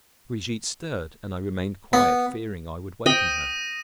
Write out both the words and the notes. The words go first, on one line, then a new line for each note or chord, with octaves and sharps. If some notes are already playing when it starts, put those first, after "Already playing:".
Brigitte stirred and I remained quiet, fearing I would waken her.
B3
G5 D#6 A#6 D#7